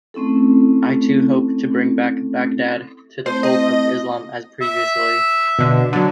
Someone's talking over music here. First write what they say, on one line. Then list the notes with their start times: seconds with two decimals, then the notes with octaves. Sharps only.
I too hope to bring back Baghdad to the fold of Islam as previously.
0.14 A3 C4 C#4 E4 A4
3.26 A3 C4 E4 C5
3.43 D#5
4.61 E5
5.59 B2 D3
5.93 D3 F#3